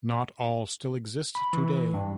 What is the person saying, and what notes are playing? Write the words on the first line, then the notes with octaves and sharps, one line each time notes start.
Not all still exist today.
B5
E3
G2